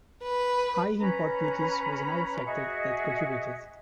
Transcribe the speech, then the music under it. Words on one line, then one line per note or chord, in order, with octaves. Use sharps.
High import duties was another factor that contributed.
B4
C#4 B4 A#5 B5
F#4 G#4 D#5 E5